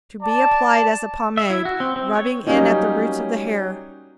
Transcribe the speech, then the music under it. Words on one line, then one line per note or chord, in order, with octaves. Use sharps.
To be applied as a pomade, rubbing in at the roots of the hair.
D5 A5
E5
E4
F#4
C4
C4
C#5
F#3 G3 A#3 C#4 D#4